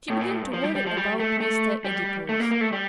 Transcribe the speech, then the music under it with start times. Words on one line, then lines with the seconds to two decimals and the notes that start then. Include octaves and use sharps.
She began to worry about Mr. Adipose.
0.10 A2
0.21 A#2
0.31 A2
0.42 G2
0.53 F3
0.64 G3
0.75 G3
0.86 F3
0.97 G3
1.20 A3
1.40 A3
1.85 G3
2.29 A3
2.40 A#3
2.51 A#3
2.61 A3
2.72 G3